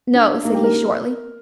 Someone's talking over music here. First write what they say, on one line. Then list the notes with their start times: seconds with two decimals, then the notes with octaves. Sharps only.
"No," said he shortly.
0.15 D4
0.44 A#3 D#4
0.54 G4
0.64 A#4